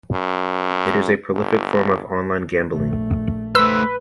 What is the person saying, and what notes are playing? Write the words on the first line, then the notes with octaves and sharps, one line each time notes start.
It is a prolific form of online gambling.
F#2
G1
A#1 A3
A3 B4 C5 E6